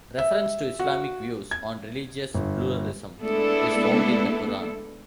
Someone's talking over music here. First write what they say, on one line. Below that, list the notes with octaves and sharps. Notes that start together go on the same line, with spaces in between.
Reference to Islamic views on religious pluralism is found in the Quran.
E5
F#4
G#6
G1
G#3 A3 B3 D4 E4 A4